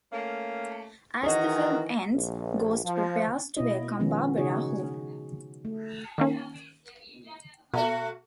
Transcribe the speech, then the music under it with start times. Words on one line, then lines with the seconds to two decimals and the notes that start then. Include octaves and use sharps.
As the film ends, Ghost prepares to welcome Barbara home.
0.11 A3 A#3 C#4
1.23 D#3 E3 F#4 G#4 A#4 C#5 D#5
2.14 A#1
2.85 F3
3.57 B2 E4 D#5
3.99 D#3 F3 G#3 B3 C#4
4.37 C#3 D#4 F#4 G#4 C#5
5.65 A3
6.18 D#3 A#3 C#4
7.74 B2 A3 F#4